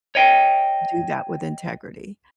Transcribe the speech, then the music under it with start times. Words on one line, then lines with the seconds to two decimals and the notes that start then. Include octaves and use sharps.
do that with integrity.
0.15 C#5 D#5 G5